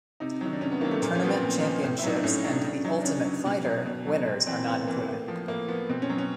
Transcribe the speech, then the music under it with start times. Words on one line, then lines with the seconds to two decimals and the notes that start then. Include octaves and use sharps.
Tournament championships and The Ultimate Fighter winners are not included.
0.20 C3 D#4
0.41 D#3 F#3
0.53 D4
0.61 C3 C#4
0.72 B3
0.81 D#3 F#3 A#3
0.91 A3
1.02 A#2 A#3
1.15 C#4
1.22 F3 B3
1.29 C4
1.43 A#2
1.62 F3
1.84 A2
1.99 E4
2.03 F#3 D#4
2.15 D4
2.23 A2 C#4
2.44 F#3 D4
2.64 C#3 D4
2.84 F#3 D#4
3.01 D4
3.05 C#3 C#4
3.25 F#3
3.46 B2
3.65 F#3
3.86 B2
4.07 F#3
4.26 C3 C4
4.47 E3 C4
4.67 C3 B3
4.87 E3 A#3
5.08 A2
5.28 F3
5.48 A2 A#3
5.68 F3 B3
5.89 B2 C4
6.02 C#4
6.10 F#3
6.18 C#4